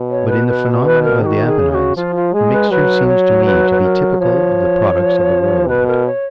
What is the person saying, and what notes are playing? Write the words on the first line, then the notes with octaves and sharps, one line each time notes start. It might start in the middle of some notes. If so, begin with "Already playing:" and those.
But in the phenomenon of the Apennines, the mixture seems to me to be typical of the products of a whirlwind.
Already playing: B2
C#5
B4
B4
B4
A#4
D#3 F#4 G#4
G#4
C#3
G#4
F#4
F3 F4
F4
G#3 G#4
B4
F#3 B4
C#5
B4
B4
A#4
F3 C#5
F3
B2 B4
A#4
C#5